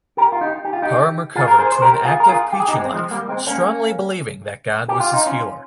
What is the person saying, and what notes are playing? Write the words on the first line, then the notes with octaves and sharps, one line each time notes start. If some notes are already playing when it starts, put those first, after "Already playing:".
Parham recovered to an active preaching life, strongly believing that God was his healer.
G4 A#4
F4
D#4 G4
G4
F4
D#4 G4
F4 G#4
A#4
G#4 C5
C5
G4 A#4
F4 G#4
A#4
F4 G#4
G4
G#4
D#4 G4
G#3 C4
F3 G#3
G3 A#3
G#3 C4
A#3 C#4
G4
F4
D#4
C#4 F4